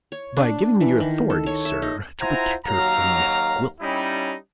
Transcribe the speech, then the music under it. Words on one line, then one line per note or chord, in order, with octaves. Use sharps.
"By giving me your authority, sir, to protect her from Miss Gwilt."
C#5
D4
E3
D#3
A4
C#5
E5
D#4
E4 F4 C5 F#5 G#5 A#5
D#2 F#3 F5 A#5
G3 C#4 D#4 E4